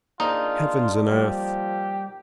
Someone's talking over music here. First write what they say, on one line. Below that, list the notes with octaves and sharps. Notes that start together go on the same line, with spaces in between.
Heavens and earth!
A#3 D4 D#4 F4 G#4 C5
F3 G3 A#3 G4